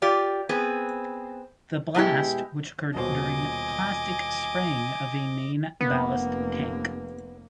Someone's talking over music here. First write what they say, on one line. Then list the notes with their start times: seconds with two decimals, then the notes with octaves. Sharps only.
The blast, which occurred during plastic spraying of a main ballast tank.
0.02 F4 G4 D5
0.49 B3 C4 G#4
1.95 B2 G#3 E4 G4
2.95 D#1 B2 C5 D#5 G#5 D6
5.81 F1 A#3 B3